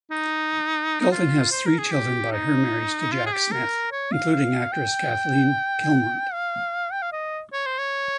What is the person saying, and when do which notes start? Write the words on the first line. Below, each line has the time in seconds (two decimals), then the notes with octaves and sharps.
Dalton has three children by her marriage to Jack Smith, including actress Kathleen Kinmont.
0.11 D#4
1.01 D#4
1.11 F4
1.52 C5
1.66 A#4
1.79 G#4
1.92 G4
2.32 D#4
3.12 F4
3.27 G#4
3.33 G4
3.52 A#4
3.92 C#5
4.12 F5
4.33 F5
4.72 G5
6.33 F5
6.92 G5
7.02 F5
7.13 D#5
7.53 C#5
7.66 C5
7.79 C#5